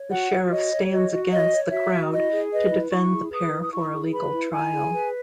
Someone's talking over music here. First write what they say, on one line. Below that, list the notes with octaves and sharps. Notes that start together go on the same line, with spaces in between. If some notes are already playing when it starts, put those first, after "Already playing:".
The sheriff stands against the crowd to defend the pair for a legal trial.
Already playing: C#5
F#4 F#5
F#4
C#5 D#5
C#5
F#4 D#5
F#4
C#5 D#5
C#5
F#4 E5
F#4
E4 D#5
G#4
B4 D#5
E4
E4 C#6
G#4
B4 D#6
E4
D#6
E4 C#6
G#4
B4 B5
E4
E4 G#5
G#4
B4